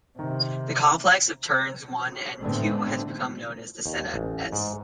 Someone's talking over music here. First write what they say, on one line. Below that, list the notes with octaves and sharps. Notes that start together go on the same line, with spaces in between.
The complex of turns one and two has become known as the Senna 'S'.
C3 D#3
A2 D3 G#3 A3 B3 C4
D#2
A1
G#2